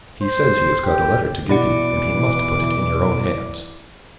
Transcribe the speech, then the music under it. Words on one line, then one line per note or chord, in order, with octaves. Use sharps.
He says he has got a letter to give you, and he must put it in your own hands.
C5
G4
B2 E3 E4 D5 F#5 D6